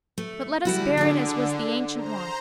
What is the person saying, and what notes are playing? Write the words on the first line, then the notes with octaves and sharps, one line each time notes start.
But let us bear it as was the ancient wont.
A3
D3 G3 E4 F#4
D4 G#4 D5
C5 A#5